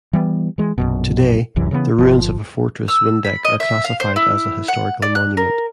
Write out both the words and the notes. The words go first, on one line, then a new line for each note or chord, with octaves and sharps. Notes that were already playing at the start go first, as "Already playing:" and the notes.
Today, the ruins of a fortress Windeck are classified as a historical monument.
E3 G3 B3
E3 G#3
A#1 F#2 B2
D1 C2 F#2 E3
C#3 E3 G#3 B3
G1 F3
E6
B5
D#5
E5
F5
C5
E4
F#5
D5
F#6
A#4